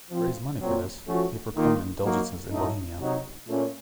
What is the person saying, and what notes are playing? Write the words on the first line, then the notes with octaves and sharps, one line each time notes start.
To raise money for this, he proclaimed indulgences in Bohemia.
F3 C4 F4
A#2 F#3 C4
F3 A3 C#4 F#4
D#3 A#3 F4
F#3 A#3 D#4 F#4
A2 F#3 A3 D#4
C3 F#3 C4 D#4
A#2 A3 C#4